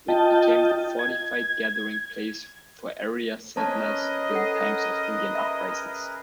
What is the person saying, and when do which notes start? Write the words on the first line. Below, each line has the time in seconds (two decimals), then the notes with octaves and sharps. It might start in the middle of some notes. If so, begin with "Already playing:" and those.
It became the fortified gathering place for area settlers during times of Indian uprisings.
0.08 F4 D#5 G5 A5
0.99 G#6
3.57 C#4 G#4 A#4 B4 D#5 A5
4.31 A4 F#5
5.35 E5 B5